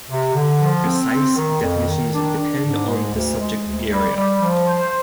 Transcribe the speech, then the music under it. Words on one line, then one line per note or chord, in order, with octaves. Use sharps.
Precise definitions depend on the subject area.
C3
D3
F3
C4
C4
D#3
F2
D#3
D4
D4
G#2
G#3
D2
G#3
D2
G3
G3
F3
C5